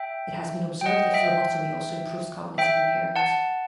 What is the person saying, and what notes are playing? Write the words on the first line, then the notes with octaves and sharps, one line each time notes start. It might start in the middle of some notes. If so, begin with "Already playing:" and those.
It has been observed that phlebotomy also improves cognitive impairment.
Already playing: E5 G5
G5
D#5 F#5
E5 G5
E5 G5
F#5 A5